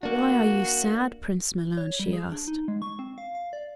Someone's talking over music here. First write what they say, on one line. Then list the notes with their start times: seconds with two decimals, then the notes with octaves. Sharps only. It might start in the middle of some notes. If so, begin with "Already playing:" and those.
"Why are you sad, Prince Milan?" she asked.
0.03 A#3 D4 F#4
1.77 C#5
2.00 G3
2.13 G#4
2.32 D4
2.48 D#4
2.68 G#3
2.82 C#6
2.99 C4
3.18 F5
3.35 F5
3.53 D5